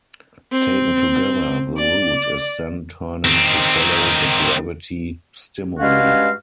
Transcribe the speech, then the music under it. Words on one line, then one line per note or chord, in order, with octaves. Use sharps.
Taken together, the root is then turning to follow the gravity stimuli.
C4
D5
D#3 C4
G2 G#3 C#4 F#4 F5